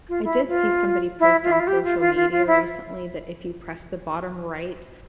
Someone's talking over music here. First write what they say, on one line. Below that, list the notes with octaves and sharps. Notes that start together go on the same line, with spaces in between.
I did see somebody post on social media recently, that if you press the bottom right
F4
E4
F4
E4
F4
E4
F4
G4
F4
F4
F4
F4
E4